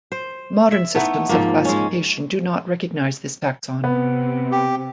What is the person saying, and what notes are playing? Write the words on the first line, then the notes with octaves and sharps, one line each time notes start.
Modern systems of classification do not recognize this taxon.
C5
E5
A3 B3 D#4 E4
G#2 F3 A#3
G#3 C#4
C3 B3
G4